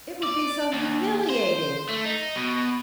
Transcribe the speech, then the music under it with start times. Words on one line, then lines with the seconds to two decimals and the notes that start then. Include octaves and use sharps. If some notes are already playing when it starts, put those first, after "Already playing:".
It would be so humiliating.
0.23 D5
0.73 D#2
1.29 C5
1.89 A3
2.05 D#4
2.36 B2